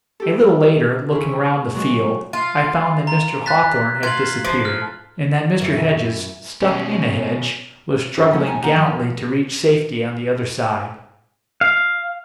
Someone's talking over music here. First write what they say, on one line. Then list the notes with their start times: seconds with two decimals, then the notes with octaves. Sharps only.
A little later, looking round the field, I found that Mr. Hawthorn had disappeared, and that Mr. Hedges, stuck in a hedge, was struggling gallantly to reach safety on the other side.
0.20 G4 A4
1.12 C#3 E4
1.74 A#2 F#3 G#3 F#4
2.33 F4
3.07 A#5
3.46 F#6 A6 B6
4.03 F4 G#6 F#7
4.45 F3
4.65 F6
5.59 F#2 E3
6.61 B2 C#4
8.17 D4 D#4 F#4 G4 A#4
8.30 D#3 F3 G#3 B3 C#4 E4
8.46 D#2 D#4 G#5 A5
8.63 A#3 D#4 F#5 A5 A#5
8.76 E3 F3
11.61 F5